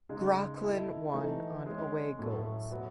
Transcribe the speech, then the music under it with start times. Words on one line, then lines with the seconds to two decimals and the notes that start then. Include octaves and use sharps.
Groclin won on away goals.
0.09 C#3 G#3 D#4 G#4
0.62 A3 E4 A4 D#5
1.13 E3 A3 D#4 A4
1.66 G#3 C#4 G#4 D#5
2.19 A2 F#3 A3
2.71 B2 F#3 B3 F#4